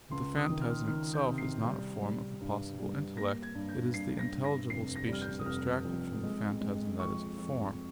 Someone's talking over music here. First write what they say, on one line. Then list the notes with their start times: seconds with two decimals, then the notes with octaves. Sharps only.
But the phantasm itself is not a form of the possible intellect; it is the intelligible species abstracted from the phantasm that is a form.
0.11 C#2 C6
0.37 D#6
0.49 D#3
0.61 F6
0.87 D#3 F6
1.14 G6
1.26 C3
1.38 C7
1.64 G3
2.02 G3
2.41 G2
2.79 G3
3.17 A#3 A#6
3.42 G#6
3.55 G2
3.69 G6
3.94 G2 C7
4.18 A#6
4.32 G2
4.44 A#6
4.70 F1 C7
4.96 A#6
5.08 G3 F6
5.22 G6
5.39 D#6
5.46 F1 F6
5.84 F2
6.23 G#3
6.61 G#3
6.99 F2 C#6
7.38 F2